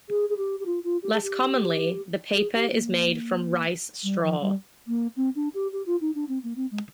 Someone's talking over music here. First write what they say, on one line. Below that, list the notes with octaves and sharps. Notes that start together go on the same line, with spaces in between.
Less commonly, the paper is made from rice straw.
G#4
G#4
G4
G4
F4
F4
G4
G#4
G4
G#4
G4
A#3
G3
F3
G3
A#3
C4
D4
G4
G4
F4
D#4
D4
C4
A#3
C4
G#3